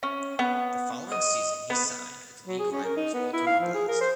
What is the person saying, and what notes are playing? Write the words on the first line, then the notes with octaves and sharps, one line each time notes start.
The following season he signed with league rivals Baltimore Blast.
C#4
B3
D#5
B3
F#3
G#4
C#4
A#4
D#4
B3
E4
F5
F3
G#4
A#4
C5